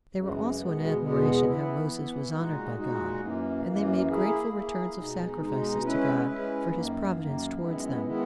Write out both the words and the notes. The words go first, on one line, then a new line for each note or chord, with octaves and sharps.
They were also in admiration how Moses was honored by God; and they made grateful returns of sacrifices to God for his providence towards them.
F#2 C#3 E3 G#3
E2 B2 G#3 B3
E2 B2 G#3 B3
E3 B3 E4
E3 B3 E4
A#2 G#3 D#4 F#4
A#2 G#3 D#4 F#4
F#2 E3 A#3
F#2 E3 A#3
A#3 E4 G#4
A#3 E4 G#4
B2 G#3 D#4
B2 G#3 D#4
G#3 C#4 E4 B4
G#3 C#4 E4 B4
F#2 D#3 A#3
F#2 D#3 A#3
F#2 D#3 G#3 B3 E4
D#3 G#3 B3 E4